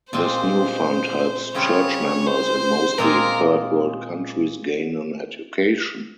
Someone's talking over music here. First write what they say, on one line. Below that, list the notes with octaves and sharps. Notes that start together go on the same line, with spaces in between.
This new fund helps church members in mostly third-world countries gain an education.
A#2 G#3 C4 C5
C#3 G3 C4 F4 G#4 C#5
C5
A#2 G#3 C4 F4 G#4 A#4